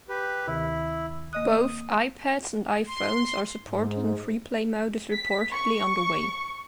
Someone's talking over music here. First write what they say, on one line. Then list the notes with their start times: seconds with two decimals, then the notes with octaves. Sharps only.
Both iPads and iPhones are supported and freeplay mode is reportedly on the way.
0.09 G4 B4
0.47 D2 C3 D#3 E4
1.33 A#3 D#5 D#6 F#6
2.87 C6
3.62 G#2
5.13 B6
5.52 C#6